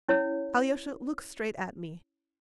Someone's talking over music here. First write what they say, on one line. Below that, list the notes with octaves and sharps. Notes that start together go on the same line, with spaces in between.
Alyosha, look straight at me!
C#4 E4 C#5